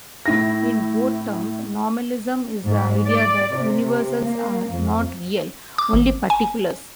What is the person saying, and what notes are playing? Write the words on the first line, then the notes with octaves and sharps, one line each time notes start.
In broad terms, nominalism is the idea that "universals are not real, only particulars".
A2 E4 A#6
G#2
D5
C3
A#3
F2
D6
G#1
G#5